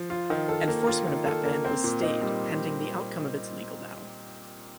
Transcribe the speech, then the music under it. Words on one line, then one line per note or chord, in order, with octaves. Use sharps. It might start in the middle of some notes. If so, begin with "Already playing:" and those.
Enforcement of that ban was stayed pending the outcome of its legal battle.
Already playing: F3
F4
D#3
A4
A#3
F4
D#3
A4
A#3
C4
A#2
D#4
G3